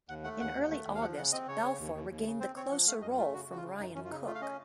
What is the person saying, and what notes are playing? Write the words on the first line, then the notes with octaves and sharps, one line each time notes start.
In early August, Balfour regained the closer role from Ryan Cook.
D#2 F#5
A3 F#5
D#2 F#5
D#2
A3
D#2
F5
F3 F#5
C#3 F#5
C4 D#5
C#3 C#5
C#3
D#2
D#2
D#2
C#3
C4 C5
C4 C#5
F3 F#5
A3 F5
F#2 D#5
A3 F4
C#3 F#4
C#3 F#4
F4
C#3
F#2 D#4
F#2 C#4
F4
C#3 D#4
A3 F4
F5
C#4 D#5